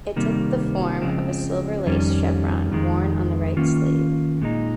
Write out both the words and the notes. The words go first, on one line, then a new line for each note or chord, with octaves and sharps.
It took the form of a silver lace chevron worn on the right sleeve.
C3 D#3 G3 A#3
C#3 F3 G#3 C4
F2 D#3 G3 C#4
F2 D#3 G#3
D#3 A#3 C#4 F4
A#2 G#3 D#4